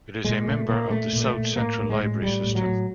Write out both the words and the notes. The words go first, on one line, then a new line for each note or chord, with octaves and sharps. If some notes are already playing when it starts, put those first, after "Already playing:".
It is a member of the South Central Library System.
A#2 G#3
A#2 A3
A#2 A#3
A#2 A3
A#2
A3
A#2
A2 A#3
A2
G#3
A2
A2 G3
A2
F#3
A2